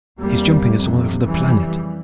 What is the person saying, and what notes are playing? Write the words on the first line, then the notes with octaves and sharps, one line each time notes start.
He's jumping us all over the planet.
E2 C3 G3 A#3
F2 C3
F2 C#3 E3 G3